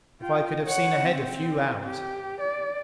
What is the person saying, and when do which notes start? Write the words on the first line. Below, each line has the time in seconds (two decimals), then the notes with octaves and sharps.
If I could have seen ahead a few hours!
0.21 F4 G5
0.65 C#5 F#5
1.03 C4
1.86 G4
2.40 D5